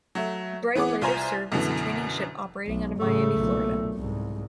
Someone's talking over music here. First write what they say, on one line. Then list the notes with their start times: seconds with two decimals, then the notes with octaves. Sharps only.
"Bray" later served as a training ship operating out of Miami, Florida.
0.15 F#3 A3
0.75 E3 B3 G#4 F#5 D6
1.01 C2 F4 C5 G#5 A#5
1.52 F#2 B2 D3 E3
2.66 B1
2.99 A2 C#3 A3
3.35 B1 A#2
3.94 C2 G#2